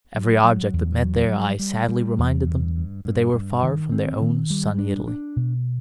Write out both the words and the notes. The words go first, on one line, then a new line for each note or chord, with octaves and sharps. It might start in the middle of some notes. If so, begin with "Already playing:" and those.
Every object that met their eye sadly reminded them that they were far from their own sunny Italy.
F#3
F#3
E2
F#3
G3
G3
G3
E2
G2
G2
G2
G2
D#3
C4
D#3
G3
D4
D4
B2